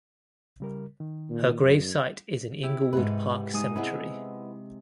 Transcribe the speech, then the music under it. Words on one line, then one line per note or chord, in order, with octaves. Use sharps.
Her gravesite is in Inglewood Park Cemetery.
C#3 G3 A#4
D#3
A#2
F#2
E4 G4
G#2 C3 B4
G#3 D#4 D#6
C3 G#3 B3 E4